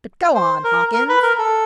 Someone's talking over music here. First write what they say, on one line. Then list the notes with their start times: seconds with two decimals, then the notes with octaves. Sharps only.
"But go on, Hawkins."
0.34 C5
0.64 A#4
0.94 A#4
1.09 B4
1.23 A#4
1.39 A4